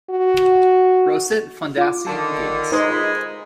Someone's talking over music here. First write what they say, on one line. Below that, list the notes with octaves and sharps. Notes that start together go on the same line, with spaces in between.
Brosset, Fondacci, Gabus.
F#4
F4 D6
D3 D#3 A5
G#3 D#4 B4 C5
F4 B5